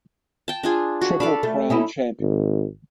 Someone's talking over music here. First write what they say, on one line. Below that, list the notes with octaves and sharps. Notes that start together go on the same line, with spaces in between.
Triple Crown Champion.
G5 A5
D4 F4 G#4
F#4
D4 A4 F5 B5
A3
C#4 D#4 E4
G#1